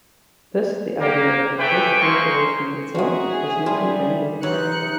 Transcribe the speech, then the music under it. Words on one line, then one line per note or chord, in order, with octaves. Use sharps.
Thus, the idea of a Fourth Great Awakening itself has not been generally accepted.
A#3 G4
A3 G4 B4 E5 G5 G#5
G#3 A#3 C#4 C5 C6 C#6
D#3 F3 F#4 G#4 E5
F3 G3
C3 E3 F#3 D#4 F#6 C#7